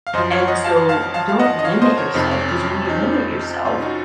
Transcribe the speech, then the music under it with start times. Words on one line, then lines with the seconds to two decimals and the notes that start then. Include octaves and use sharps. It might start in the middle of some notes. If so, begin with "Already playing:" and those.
and so don't limit yourself 'cause when you limit yourself,
0.07 F5
0.13 F#2 C5 D#5
0.17 F3
0.31 C#5 F5
0.48 D#5 F#5
0.64 F5 A5
0.89 F5 A5
1.14 F5 A5
1.29 F5
1.39 D#5 F#5
1.59 D#5
1.64 C#5 F5
1.82 C5 D#5
1.98 A#4 C#5
2.14 F2 C3 F3 D#4
2.31 C#4
2.49 C#4
2.65 C#4
2.85 C#4
2.89 D#4
3.65 C#4 F4
3.81 D#4 F#4